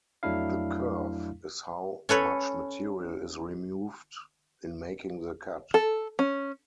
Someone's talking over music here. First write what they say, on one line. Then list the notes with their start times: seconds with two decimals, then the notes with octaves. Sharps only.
The kerf is how much material is removed in making the cut.
0.23 F2 F#3 A3 D4 E4 F5
2.09 C#4 A4 B4 C#5
5.74 A4
6.19 C#4